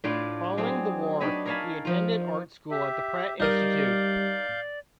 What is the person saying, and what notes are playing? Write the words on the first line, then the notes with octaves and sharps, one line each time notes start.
Following the war he attended art school at the Pratt Institute.
A2 D4 E4 F4 D5 C6
F#3 C4 G#4
D4 D#4 B4 C#5 D#5
A#4 C#5 F5 G#5 A5 B5
F3 F4
G4 E5
G3 D#4 A#4 D5 D#5 F5 G6